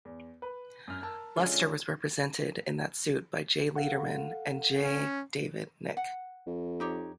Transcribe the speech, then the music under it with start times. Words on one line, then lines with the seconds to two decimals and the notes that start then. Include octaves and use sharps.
Luster was represented in that suit by Jay Leiderman and J. David Nick.
0.05 E2
0.42 B4
0.88 F#2 F6
1.02 A#4 A5 E6
1.36 D3 G#3 C#4 F4 A4
3.76 A4 F5 F#5
4.83 C#4
5.97 F#5
6.47 F2
6.80 D#4 G4 C#5